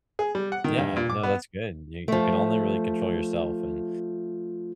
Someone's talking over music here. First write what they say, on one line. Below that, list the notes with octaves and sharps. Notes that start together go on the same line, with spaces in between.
Yeah, no, that's good. You you can only really control yourself and
G#4
G3
F#5
D#3
G2
A#2
D6
B3
F3 A3